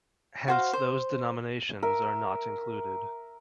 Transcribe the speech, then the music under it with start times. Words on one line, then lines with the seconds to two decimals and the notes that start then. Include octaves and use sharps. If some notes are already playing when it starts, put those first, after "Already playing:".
Hence those denominations are not included.
0.48 F#4 C5 F5
0.73 C5
1.83 A#4 E5